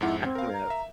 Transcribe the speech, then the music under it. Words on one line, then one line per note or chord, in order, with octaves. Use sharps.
I don't know.
F2 G#2 E4 F#5
C4
A#4 F5
A#5
E5